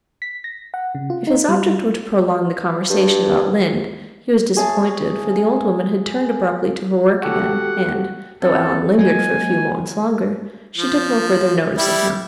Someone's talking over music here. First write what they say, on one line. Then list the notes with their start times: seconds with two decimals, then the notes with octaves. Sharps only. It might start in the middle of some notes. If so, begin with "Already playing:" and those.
If his object were to prolong the conversation about Lynde, he was disappointed, for the old woman had turned abruptly to her work again and, though Alan lingered for a few moments longer, she took no further notice of him.
0.22 B6
0.44 A#6
0.74 F#5
0.95 C#3
1.10 F4
1.27 D#4
1.48 G3
2.90 G2
4.57 G#4 C#5 E5 A5
7.22 F#4 G4 A4 F#5
8.42 C4 C#4 E4 A4
8.99 F#3 G#3 A#3 G#5
10.77 F3
11.78 G3 E4